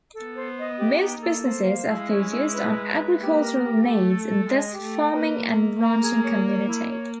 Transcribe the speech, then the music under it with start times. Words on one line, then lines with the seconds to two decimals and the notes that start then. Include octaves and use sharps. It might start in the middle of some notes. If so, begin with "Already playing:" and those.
Most businesses are focused on agricultural needs in this farming and ranching community.
0.13 A4
0.24 B3
0.35 C5
0.57 D#5
0.78 G4
0.99 D#4
1.21 A#3 A4
1.43 C5
1.65 F5
1.87 G#3 E4
2.09 C#4
2.30 E4
2.53 B4
2.74 E5
2.96 B4
3.18 A#3 G4
3.40 A#4
3.62 G4
3.83 A3 E5
4.05 A4
4.27 A4
4.49 G#3 D#5
4.71 G4
4.81 A3
4.93 G5
5.14 A#3 B4
5.36 E5
5.58 E5
5.79 A#3 A#5
6.01 G#4
6.23 C#5
6.45 C#5
6.67 E4
6.89 C#5